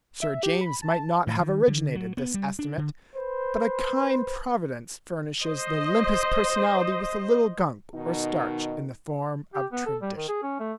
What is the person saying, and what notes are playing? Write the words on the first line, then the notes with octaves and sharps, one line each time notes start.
Sir James might not have originated this estimate; but a kind Providence furnishes the limpest personality with a little gum or starch in the form of tradition.
E5
G4
B5
A5
A2
D#3
D3
F#3
B3
G3
D4
D3
B4 C5
C5 D#5
B2 D#3 D#4
G4
B3
A4
G3
D#3
G#4
C#4
A3